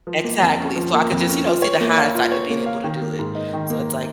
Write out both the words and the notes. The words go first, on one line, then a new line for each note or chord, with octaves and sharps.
Exactly. So I could just, you know, see the hindsight of being able to do it. So it's like,
F3
A#3
F2
C#4
F3
A#3
F2
C#4
F4
C#5
A#3
F5
F4
C#5
A#3
F5
D#3
A#3
G#2
D#4
D#3
A#3